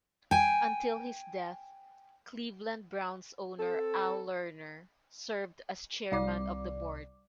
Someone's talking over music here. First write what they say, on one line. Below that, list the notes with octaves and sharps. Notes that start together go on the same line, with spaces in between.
Until his death, Cleveland Browns owner Al Lerner served as Chairman of the Board.
G5 G#5
C4 A4
C2 G3 D5 D6